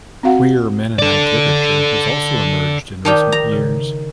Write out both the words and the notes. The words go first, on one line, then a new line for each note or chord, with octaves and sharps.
Queer Mennonite literature has also emerged in recent years.
C4 F#4 F5 F#5
A4 D5
D#3 D#4 G4 D5 A5
A#5
C#3